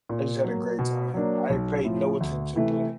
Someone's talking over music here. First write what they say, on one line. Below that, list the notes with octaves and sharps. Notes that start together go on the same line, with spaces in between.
I just had a great time, I paid no attention to play."
A#2
F#3 A#3
B2
F#3 A#3 D4
B1
A2 F3
D2
C3 E3 A3